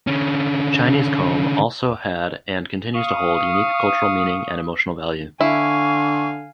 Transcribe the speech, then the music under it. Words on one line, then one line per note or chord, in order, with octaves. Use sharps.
Chinese comb also had and continues to hold unique cultural meaning and emotional value.
D3 C#4
F5 C#6 D#6
D3 E4 F5 G#5 C#6